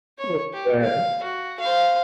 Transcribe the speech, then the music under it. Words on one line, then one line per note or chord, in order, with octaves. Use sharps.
Oh, man.
C#5
G4
F5
F#4
C5 F5